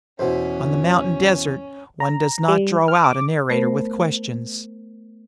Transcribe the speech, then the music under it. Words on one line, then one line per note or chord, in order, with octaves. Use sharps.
On the mountain desert one does not draw out a narrator with questions.
E2 B2 E3 C#4 F#4 C5
A#5
G3
F6
D6
A3 B3 A#4 C5